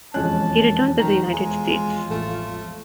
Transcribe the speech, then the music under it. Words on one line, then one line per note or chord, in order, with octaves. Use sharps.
He returned to the United States.
E1 F2 G#3 C#4 A5 F#6
D#3 A#5
G#3 F4
A1 A3